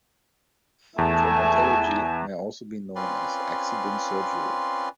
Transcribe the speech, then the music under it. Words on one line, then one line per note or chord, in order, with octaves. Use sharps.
Traumatology may also be known as "accident surgery".
E2 A3 E5 G#5 A5
C4 C#4 F4 B4 D5 C6